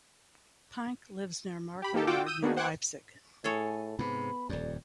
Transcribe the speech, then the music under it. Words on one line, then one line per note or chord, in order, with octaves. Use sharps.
Pank lives in Markkleeberg near Leipzig.
G4 B5
A#3 D#4 G4 A4
F4 F#4 F#5 G5 D6 E6
D#6 E6 G6 D#7
A#3 B3 D4 F#4 G#4
C5 F#5 G5 D6 F#6 G#6
A2 G#4 A4 C#5 G#5
G#2 C3 B3 B5
D#1 F2 D5